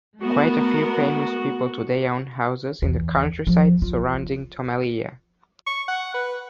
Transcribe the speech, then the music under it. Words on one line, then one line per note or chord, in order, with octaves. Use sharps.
Quite a few famous people today own houses in the countryside surrounding Tomelilla.
A3 B3 F#4 A#4
E2
F3
F4
C#6
F#5
B4